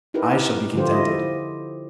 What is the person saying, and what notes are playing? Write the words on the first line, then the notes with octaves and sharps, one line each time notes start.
I shall be contented.
D#4 E4 G4 A#4 B4
D3 F3 A3 F4 G4 C5
E4 D#5